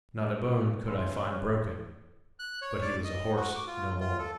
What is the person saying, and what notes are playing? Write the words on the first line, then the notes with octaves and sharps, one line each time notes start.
Not a bone could I find broken, but he was a horse no more.
G2
C#3 E3 G#3 D#4 B4 C6
F#6
C#5
D5
D#5
F#4
D6
F4
F4
A4